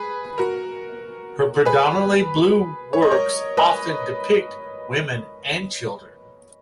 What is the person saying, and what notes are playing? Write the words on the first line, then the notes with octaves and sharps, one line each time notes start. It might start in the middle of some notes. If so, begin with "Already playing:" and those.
Her predominately blue works often depict women and children.
Already playing: G#4 B4
F#4 A#4
G#4 B4
C#5
D#5
A#4 C#5
B4 D#5